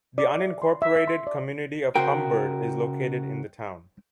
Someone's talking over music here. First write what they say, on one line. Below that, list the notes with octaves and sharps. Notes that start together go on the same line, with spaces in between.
The unincorporated community of Humbird is located in the town.
D5
E5
C6
E5
E5
C6
D5
C#3 F#4 A#4 C5 G5